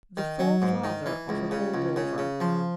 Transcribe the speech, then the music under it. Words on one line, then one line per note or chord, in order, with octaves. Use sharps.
The forefather of a hold-over.
D#3
F#3
G#2
D#3
E3
C#2
C#3
C#2
C#3
C#3
F3